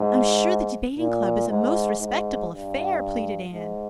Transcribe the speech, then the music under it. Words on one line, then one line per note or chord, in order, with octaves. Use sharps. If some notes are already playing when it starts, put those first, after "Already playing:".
"I'm sure the Debating Club is a most respectable affair," pleaded Anne.
Already playing: G#2
A#2
G#2
G#2
G2
G#2